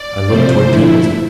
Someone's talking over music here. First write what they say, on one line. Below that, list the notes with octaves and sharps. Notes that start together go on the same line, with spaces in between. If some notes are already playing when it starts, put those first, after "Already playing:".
I looked toward Templeton.
Already playing: D5
C3 F3 A3 C5
D3 F3 A3 E4